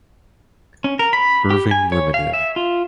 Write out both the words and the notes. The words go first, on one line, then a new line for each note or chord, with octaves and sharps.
Irving Ltd.
C#4
A#4
B5
G4
G#5
C#5
F5
E5
F4